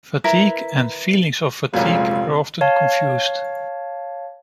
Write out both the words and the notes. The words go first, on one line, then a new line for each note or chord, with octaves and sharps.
Fatigue and 'feelings of fatigue' are often confused.
E4 A#4 B4
F1 C#2 A#2 F#3 G#3 F4
C#5 F5 A5